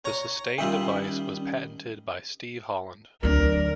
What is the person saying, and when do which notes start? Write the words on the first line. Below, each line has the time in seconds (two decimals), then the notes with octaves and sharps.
The sustain device was patented by Steve Holland.
0.05 C#5 A#5
0.58 D#3 G3 C#4 F4 E5 G5
3.23 D2 F#3 C4 D4 A#4